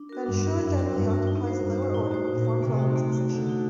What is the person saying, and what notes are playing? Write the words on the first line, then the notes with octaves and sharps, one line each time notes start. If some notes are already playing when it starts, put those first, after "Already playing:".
Van Schoor generally occupies the lower order, but performs well in this position.
Already playing: D4
F#4 A#4
G2 D4
F#4 A#4
F#2 D4
F#4 A#4
G2 D4
F#4 A#4
D#4
F#4 C5
G2 D#4
F#4 C5
A2 D#4
F#4 C5
A#2 D#4
F#4 C5
C3 A3
D#4 F#4
A3
D#4 F#4
D3 A3
D#4 F#4